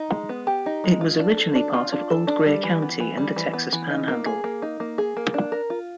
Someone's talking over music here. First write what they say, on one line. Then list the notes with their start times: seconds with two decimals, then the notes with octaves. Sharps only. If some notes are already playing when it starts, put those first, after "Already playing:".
It was originally part of Old Greer County in the Texas panhandle.
Already playing: D#4
0.12 G#3
0.29 B3
0.47 G4
0.66 D#4
0.84 G#3
1.01 F4
1.19 D4
1.37 A4
1.55 D4
1.74 F4
1.92 D4
2.10 A4
2.27 D4
2.46 G3
2.64 E3
2.82 B3
3.00 E3
3.17 G3
3.36 E3
3.53 B3
3.73 E3
3.90 D#4
4.08 A#3
4.26 G#4
4.44 A#3
4.62 D#4
4.80 A#3
4.98 G#4
5.17 A#3
5.34 D4
5.52 A#4
5.70 F4